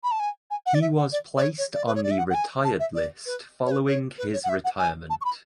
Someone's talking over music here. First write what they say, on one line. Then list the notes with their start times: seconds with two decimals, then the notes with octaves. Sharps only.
He was placed on the retired list following his retirement.
0.04 B5
0.11 A5
0.20 G#5
0.51 G#5
0.66 F#5
0.74 D5
0.81 E5
0.97 F#5
1.12 D5
1.37 D5
1.42 C#5
1.58 C#5
1.73 D5
1.86 B4
1.95 C#5
2.03 D5
2.11 E5
2.18 F#5
2.30 F#5
2.34 G#5
2.64 A5
2.80 E5
2.95 D5
3.26 B4
3.65 C#5
3.71 B4
3.87 C#5
4.18 B4
4.33 C#5
4.44 F#5
4.49 E5
4.64 F#5
4.79 G#5
5.10 A5
5.21 C#6
5.25 B5